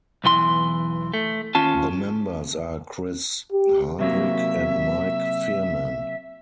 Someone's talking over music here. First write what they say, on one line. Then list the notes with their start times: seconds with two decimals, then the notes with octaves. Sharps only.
The members are Chris Hardwick and Mike Phirman.
0.24 B1 E2 E3 C6
1.14 A3
1.55 D#2 C#4 F4 A5
3.52 G4
3.99 C3 F#3 A#3 E5